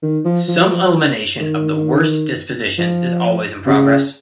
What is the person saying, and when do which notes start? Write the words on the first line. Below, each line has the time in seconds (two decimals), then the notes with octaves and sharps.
Some elimination of the worst dispositions is always in progress.
0.02 D#3
0.25 F3
0.48 F3
0.60 F#3
0.71 F3
0.83 F#3
1.40 D#3
2.78 F3
3.66 C3
3.69 C#3